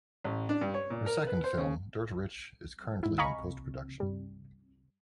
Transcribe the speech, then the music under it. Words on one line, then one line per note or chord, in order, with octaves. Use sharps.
Her second film "Dirt Rich" is currently in post-production.
A1
D4
G2
C#5
A#2
A#4
B4
C5
C#3
G#2 E4
D#5 F5 G#5 A#5 B5 C#6
G2 G3